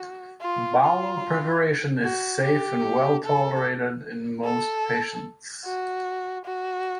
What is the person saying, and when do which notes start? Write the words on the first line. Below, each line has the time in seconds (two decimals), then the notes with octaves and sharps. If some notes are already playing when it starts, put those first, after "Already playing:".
Bowel preparation is safe and well-tolerated in most patients.
Already playing: F#4
0.41 F4
0.83 F4
2.04 F#4
2.43 G4
3.24 A4
4.45 A4
5.65 F#4
6.45 F#4